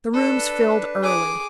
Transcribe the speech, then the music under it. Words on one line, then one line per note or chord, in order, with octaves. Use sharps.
The rooms filled early.
D4 A4 B4
G#4 D6